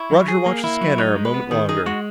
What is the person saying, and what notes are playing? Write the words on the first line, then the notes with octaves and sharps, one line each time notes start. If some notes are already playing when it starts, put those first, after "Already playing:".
Roger watched the scanner a moment longer.
Already playing: E4 C#5
F#3
G#4
A#3
E4
F#3
D#4 C#5
G#3
B4
B3
D#3 G#4
D#4 G#4
G#3 F#4